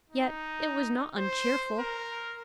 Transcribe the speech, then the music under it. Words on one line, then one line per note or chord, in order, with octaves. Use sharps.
Yet it was not uncheerful.
D#4
C5
A#4